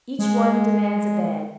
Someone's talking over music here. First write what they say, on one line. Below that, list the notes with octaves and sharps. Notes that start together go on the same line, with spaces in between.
Each one demands a bed.
G#3